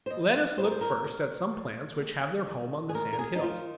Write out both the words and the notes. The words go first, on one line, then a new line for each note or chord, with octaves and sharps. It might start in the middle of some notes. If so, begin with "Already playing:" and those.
Let us look first at some plants which have their home on the sand-hills.
C5
D#2 D#5
F5
D#3 C5
A#4
C5
A#4
D#2 A#4
D#2
D#2
D#3
G#4
D#2 A#4
A#4
G#4
D#4
D#3 F4